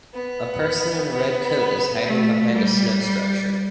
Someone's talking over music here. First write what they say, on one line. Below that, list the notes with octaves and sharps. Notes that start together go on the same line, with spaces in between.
A person in a red coat is hiding behind a snow structure.
B3
B3
A3
G3
G3